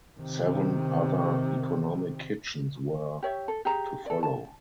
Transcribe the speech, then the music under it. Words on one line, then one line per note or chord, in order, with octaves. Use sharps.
Seven other Economic Kitchens were to follow.
C3 D#3
G4 C#5 E5
A4
G4 G#4 A#5
A4 D5
A5